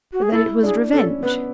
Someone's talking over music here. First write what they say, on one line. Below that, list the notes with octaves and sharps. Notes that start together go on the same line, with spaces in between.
"Then it was revenge."
F#4
G#4
E4 A4
D4 G#4
C#4 A4
B3 B4